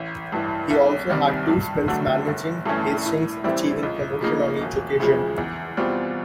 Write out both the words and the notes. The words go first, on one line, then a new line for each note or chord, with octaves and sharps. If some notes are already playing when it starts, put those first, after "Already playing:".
He also had two spells managing Hastings achieving promotion on each occasion.
Already playing: A1
G2 E3
C2
C3 D#3 G3
G2
D3 F#3 A3
G1
G2 E3 A3 C#4
A2
E3 G3 C4 E4
C#2
C#3 F3 A#3 D#4
E1
D2 C#3 F3 G#3
E2
B2 G3 C4 F4